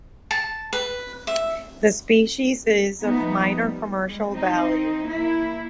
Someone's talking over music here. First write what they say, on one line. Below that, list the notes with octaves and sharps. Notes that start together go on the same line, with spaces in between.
The species is of minor commercial value.
A5
B4
E5
F3 A3 B3 D#4
G3
G3 G#3
C4 D#4
A#3 E4